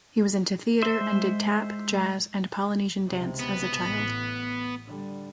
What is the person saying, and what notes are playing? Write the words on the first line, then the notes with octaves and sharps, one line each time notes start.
He was into theatre and did tap, jazz and Polynesian dance as a child.
C5 E5
G#3
C#2 C3
B3
A1
D3 G3